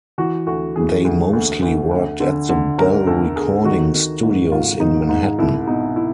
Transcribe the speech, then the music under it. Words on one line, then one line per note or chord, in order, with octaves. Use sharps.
They mostly worked at the Bell recording studios in Manhattan.
E3 F#4
D2 F#4
E3 G#4
D2
D2
D2
D2
D3
D3
D2 A#4
D2 A4
D2 G#4
D#3 F#4
D#3
G#2
G#2 F4
D#3 D#4
G#2 D#4
C2 E4
B2 D#4
E4